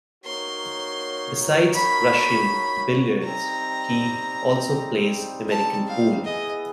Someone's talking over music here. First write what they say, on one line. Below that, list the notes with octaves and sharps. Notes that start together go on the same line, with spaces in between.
Besides Russian billiards, he also plays American pool.
A#3 D#4 F#4 A#4 C#5 C6
B5
G3 C4 D#4 A#5
A5
F5
B3 E4 G#4 D#5